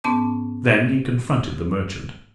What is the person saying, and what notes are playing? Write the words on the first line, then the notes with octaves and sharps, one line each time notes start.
Then he confronted the merchant.
G#2 B3 C#4 A5 D6